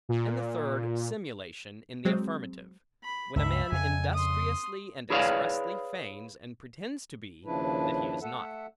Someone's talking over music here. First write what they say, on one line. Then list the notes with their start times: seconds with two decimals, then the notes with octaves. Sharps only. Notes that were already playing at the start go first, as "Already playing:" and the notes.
And the third, simulation, in the affirmative; when a man industriously and expressly feigns and pretends to be, that he is not.
0.09 A#2
2.05 F#3 G#3 C4
3.03 B5
3.36 C#2 G2 C#3 E5 B5
3.72 F2 C#3 G#5
4.14 C6 D#6
5.10 E4 G#4 B4 C#5 D5 F5
7.46 D#2 C#3 F3 D4 E4 B4
8.22 A3 A4 E5 F#5